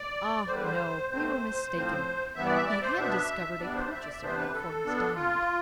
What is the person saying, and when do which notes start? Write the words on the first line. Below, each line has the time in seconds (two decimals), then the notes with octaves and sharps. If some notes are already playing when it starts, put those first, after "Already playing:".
Ah! no, we were mistaken; he had discovered a purchaser for his diamond.
Already playing: D5
0.48 E2 D3 G3 C5
0.55 B4
0.62 C5
1.11 B2 A3 C4 C5
1.73 A2 F3 C4
2.35 G2 E3 B3 E5
2.45 D5
2.56 E5
2.66 D5
2.82 C5
2.97 B2 B3 D4 E5
3.54 E5
3.60 E2 B2 G3 B3 D4 D5
3.75 C5
3.92 E5
4.01 D5
4.12 E5
4.22 C3 E3 B3 D4 C5
4.38 B4
4.54 A4
4.85 B2 B3 D4
5.15 F4